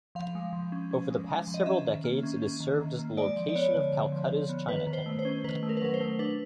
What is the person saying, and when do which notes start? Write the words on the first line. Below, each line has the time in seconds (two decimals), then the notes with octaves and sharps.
Over the past several decades, it has served as the location of Calcutta's Chinatown.
0.15 F3 F5
0.35 G#3
0.53 F3
0.72 C#4
0.91 C#4
1.10 G#3
1.28 G#3
1.47 F3
1.54 D#5
1.66 C#4 E5
1.85 D#3
2.04 A#3
2.23 C#4
2.42 C#4
2.60 D#3
2.80 D#3
2.99 A#3
3.17 G#3 D5
3.36 F3
3.49 D5
3.55 B3 C#5
3.74 D3
3.93 D3
4.12 F3
4.31 F3
4.49 B3
4.68 D#3 B4
4.87 D#3
4.93 C5
5.06 A3
5.19 C5
5.25 C#4
5.44 D#3 B4
5.63 A3
5.69 A#4
5.77 B4
5.82 F#3 A#4
5.94 C5
6.01 A3
6.19 D4 B4